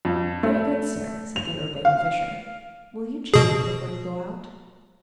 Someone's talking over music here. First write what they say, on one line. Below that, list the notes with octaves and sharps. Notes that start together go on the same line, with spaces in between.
"Very good, sir," said the urbane Fisher, "will you change before you go out?"
F2
A3
F7
F5
B2 G#4